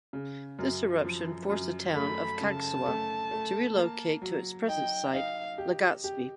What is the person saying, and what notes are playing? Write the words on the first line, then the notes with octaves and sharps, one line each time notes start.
This eruption forced the town of Cagsawa to relocate to its present site, Legazpi.
C#3
F#2
F3
F#2
A3 B5
C#3 A5
A3
A3
A#3
F#3
D#4 G5
D#4 F5
G4
G4